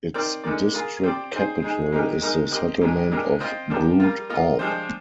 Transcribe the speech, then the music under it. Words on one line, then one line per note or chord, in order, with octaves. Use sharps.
Its district capital is the settlement of Groot Aub.
C4 D#4 A#4 D5
D3 G#3 D#4 A#4 D5
A#3 F4 G#4
C4 G4 D5
C4 D#4 G#4 C5
G#3 D#4 G#4
A#2 G#3 D#4 G4 A#4
G#3 D#4 A#4 D#5
C4 G4 A#4 D#5
A#2 G#3 D4
A#2 G#3 D4 G4 A#4
C4 F4 C5 D#5
F3 A#3 D4 G4
G3 A#3 F4
A#3 F4 A#4 D#5
F3 G#3 D4 G4 C5